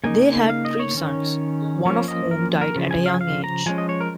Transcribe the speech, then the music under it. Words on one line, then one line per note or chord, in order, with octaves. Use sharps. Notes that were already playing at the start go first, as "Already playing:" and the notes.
They had three sons, one of whom died at a young age.
C#3 A#3 D#4 G#5
G#5
F5
D#5
C#5
D#3 C#4
F3 A#3 C#4 C#5
D#5
A#4
A#4
C#3 F3
G#5
F5
G#5
F5
A#5
F3 G#3 C#4 G#5
D#5
C#5
A#4